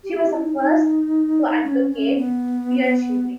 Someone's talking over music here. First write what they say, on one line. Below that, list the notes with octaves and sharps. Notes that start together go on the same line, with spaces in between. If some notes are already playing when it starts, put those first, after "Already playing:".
She was the first to advocate beard-shaving.
G4
G#4
G4
E4
D#4
D#4
C#4
C#4
B3